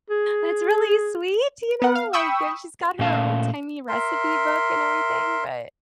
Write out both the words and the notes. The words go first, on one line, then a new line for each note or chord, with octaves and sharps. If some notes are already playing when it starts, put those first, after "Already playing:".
"That's really sweet, you know, like" and she's got her old-timey recipe book and everything, but,
G#4
B3 F#5
F5
G5 B5 C#6 D#6 E6
A#2 A3 C#4 F5 A5
A#4 E5 C6